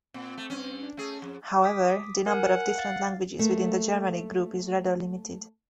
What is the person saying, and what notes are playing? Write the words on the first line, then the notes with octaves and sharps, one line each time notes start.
However, the number of different languages within the Germanic group is rather limited.
A#2 C4
A3
G2 C#4
D4
A3 C#4 G#4
F2
D6 D#6 B6
A#4 F#5 G#5
F5 A6
A3 A#3